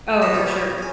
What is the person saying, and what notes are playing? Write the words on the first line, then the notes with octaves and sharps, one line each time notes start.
Oh, for sure.
A#3 B3 D#4 E4
G2 A#2 C#3 F3
C#3 G#5